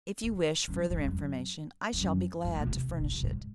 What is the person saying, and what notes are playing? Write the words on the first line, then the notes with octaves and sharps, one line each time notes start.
If you wish further information, I shall be glad to furnish it.
G#2
F#2
G#2
F#2
F2
F#2
F2
F#2
G#2
A#2
C3
C3
A#2
C3
G#2